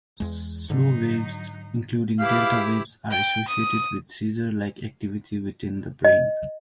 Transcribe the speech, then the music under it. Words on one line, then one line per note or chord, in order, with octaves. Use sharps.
Slow waves, including delta waves, are associated with seizure-like activity within the brain.
E2 G#3
G#2 D3 F#3 D#4
E4 G4 G#4 B4 F5 D6
G5
D#6
D#5